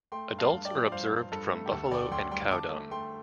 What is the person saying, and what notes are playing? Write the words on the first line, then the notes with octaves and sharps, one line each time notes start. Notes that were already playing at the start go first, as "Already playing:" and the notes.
Adults are observed from buffalo and cow dung.
A3 G5 C6
G2
F5 A5
G2
D5 G5
F3
G2 C5 F5
G2
G2 A4
A3
G4
D2 A4
D2 D5 G5
D2 G5 C6
G3 G5 C6
D2 A5 D6
A3
A3 G5 C6